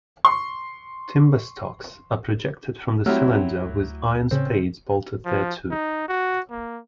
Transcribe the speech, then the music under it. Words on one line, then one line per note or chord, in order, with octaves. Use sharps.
Timber stocks are projected from the cylinder with iron spades bolted thereto.
C6 C#6
F#3 G3 A3 C4 E4 E6 F6
D2
A2 C#3 C4 C#4
F3
D#4
F#4
A#3